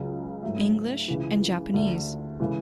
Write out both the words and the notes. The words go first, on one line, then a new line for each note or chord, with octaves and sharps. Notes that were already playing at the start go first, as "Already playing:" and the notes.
English and Japanese.
Already playing: C#2 C#3 F#3
G#2 F#3 A3
C#2 C#3 E3
D2 D3 A3
C#3 E3 G#3